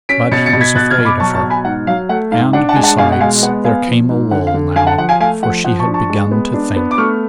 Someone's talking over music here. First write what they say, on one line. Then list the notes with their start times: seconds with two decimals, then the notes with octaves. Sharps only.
But he was afraid of her; and besides, there came a lull now, for she had begun to think.
0.09 C#4 B6 D7
0.31 B2 A6 C#7
0.46 A6 C#7
0.53 B2
0.61 G#6 B6
0.75 B2 F#6 A6
0.90 F6 G#6
0.98 B2
1.05 B5 D6
1.20 F#3 A5 C#6
1.35 A5 C#6
1.42 B2
1.50 G#5 B5
1.65 G#2 F#5
1.87 F#3 F5
2.09 A3 F#5
2.31 G#2 F5
2.53 D4 F#5
2.69 F#5 A5
2.76 G#3 G#5
2.83 F#5 A5
2.98 B2 F5 G#5
3.12 F#5
3.20 G#3 F5 G#5
3.43 B3 F#5
3.64 B3 F5 G#5
3.87 F3
4.09 G#2
4.31 D3 F#5
4.47 F5
4.54 D3
4.76 D3 F5 G#5
4.87 F#5 A5
4.98 F3 F#5
5.09 F5 G#5
5.20 A3 F5 G#5
5.42 F3 F#5
5.64 F3 F#5
5.80 A5 C#6
5.87 D4
5.94 A5 C#6
6.09 G#3
6.31 B3
6.54 D4
6.76 B3
6.91 D6
6.98 A3 C#6 F6